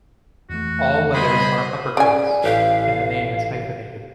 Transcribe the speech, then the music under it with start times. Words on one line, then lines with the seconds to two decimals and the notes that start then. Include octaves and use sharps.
All letters are upper-case, and the name is hyphenated.
0.50 F2 E3 A3 F#4
1.14 C#3 G3 B3 G#4 C5 D#5 B5
1.97 C#3 D5 G#5
2.44 A1 G4 F5